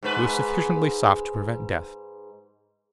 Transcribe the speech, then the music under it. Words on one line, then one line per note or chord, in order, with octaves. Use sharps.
It was sufficiently soft to prevent death.
G#2 G#3 B4